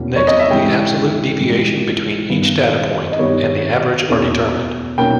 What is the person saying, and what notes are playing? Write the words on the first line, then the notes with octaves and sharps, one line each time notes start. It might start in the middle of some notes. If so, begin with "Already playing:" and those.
Next the absolute deviation between each data point and the average are determined.
Already playing: E2 B2 A#3 C#4
C#5
D#5
E5
G#2 E3 G3 G5
G#2 E3 G3
G2 D#3 G3 B3
D#5
G2 D#3 G3 B3 C#5
E2 B2 A#3 C#4
B2 A#3 C#4 G5